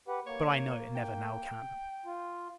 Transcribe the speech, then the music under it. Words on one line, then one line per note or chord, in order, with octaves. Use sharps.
But, I know, it never now can.
G4 B4 F#5
A#3 C#5
G5
F4